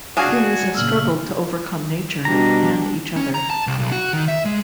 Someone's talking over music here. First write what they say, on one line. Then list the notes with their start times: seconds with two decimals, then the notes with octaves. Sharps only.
Humans have struggled to overcome nature and each other.
0.17 D4 F#4 G#4 F5 G#5
0.75 A#2 C#3 E6 F6 F#7
2.25 B2 G3 D4 A#5
3.16 C#4
3.35 A#5
3.50 A5
3.67 C2
3.79 B1
3.92 F#4
4.13 D#3
4.28 E5
4.45 G#3